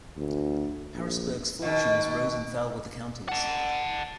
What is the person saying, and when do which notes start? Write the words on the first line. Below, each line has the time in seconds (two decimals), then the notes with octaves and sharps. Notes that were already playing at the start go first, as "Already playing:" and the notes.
Harrisburg's fortunes rose and fell with the county's.
0.17 D2
0.94 A#1
1.62 B2 D#3
3.29 F#5 A5